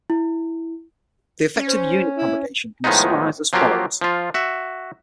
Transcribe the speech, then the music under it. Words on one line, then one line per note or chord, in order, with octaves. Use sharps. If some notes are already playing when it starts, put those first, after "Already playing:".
The effect of unit propagation can be summarized as follows.
E4
C#4
C5
E4
A2 D#3 F3 G#3 B3 D#4
F3 F#3 A#3 F4 G4
F3 F4
F#4 E5